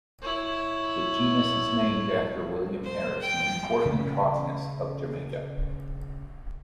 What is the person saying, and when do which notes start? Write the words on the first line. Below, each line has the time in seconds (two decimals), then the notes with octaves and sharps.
The genus is named after William Harris, an important botanist of Jamaica.
0.21 E4 C#5
2.84 C5
3.21 G5
3.85 C#3 C#4